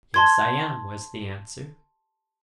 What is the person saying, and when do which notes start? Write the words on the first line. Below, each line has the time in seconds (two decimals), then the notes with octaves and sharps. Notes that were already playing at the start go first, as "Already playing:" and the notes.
'Yes, I am,' was the answer.
0.14 A5 C6 G#6